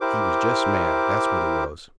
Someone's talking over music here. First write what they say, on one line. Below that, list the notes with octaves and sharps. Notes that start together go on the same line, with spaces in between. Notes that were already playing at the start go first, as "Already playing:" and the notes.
He was jest mad, that's what he was.
E4 G4 A#4 C5 D6